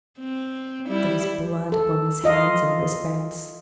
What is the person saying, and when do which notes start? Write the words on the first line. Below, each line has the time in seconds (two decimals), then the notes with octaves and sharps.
There was blood upon his hands and wrist-bands!
0.19 C4
0.88 G3 E4
1.72 A4
2.24 F4 D#5 F5